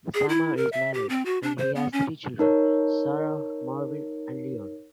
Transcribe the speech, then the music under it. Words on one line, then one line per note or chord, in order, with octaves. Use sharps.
Sammer is married and has three children, Sarah, Marvin, and Leon.
G#4
E4
A#4
E5
G4
C4
F#4
D4
C5
B3
C#4
D#4 A#4 C#5